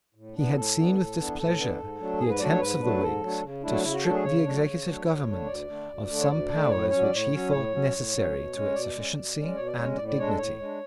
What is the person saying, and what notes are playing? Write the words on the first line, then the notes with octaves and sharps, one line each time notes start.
He had seen with displeasure the attempts of the Whigs to strip the executive government of some powers which he thought necessary to its efficiency and dignity.
A2
E3 B3 D4
A2 A4
E3 B3 D4
A2
E3 B3 D4
A2 A4
E3 B3 D4
G#2
F#3 A3 D4
G#2 G#4
B4
F#3 A3 D4 D5
C#5
G#2 B4
F#3 A3 D4
G#2 A4
F#3 A3 D4
C#3
F#3 A3 D4 E4
C#3 E4
F#4
F#3 A3 D4 A4
G#4
C#3 C#5
F#3 A3 D4
C#3
F#3 A3 D4
D2
D3 A3 D4
D2 D5
D3 A3 D4
D2
D3 A3 D4
C#5
D2 D5
D3 A3 D4
A2 C#5
F#3 C#4 C#5
D5
A2 C#5
F#3 C#4
A2 C#5
F#3 C#4
A2
F#3 C#4
B2
G#3 C#4
B2 D5
G#3 C#4
B2
G#3 C#4
B2 C#5
D5
G#3 C#4 C#5
A2 D5
D5
G#3 D4 C#5
A4
A2 C#5
G#3 D4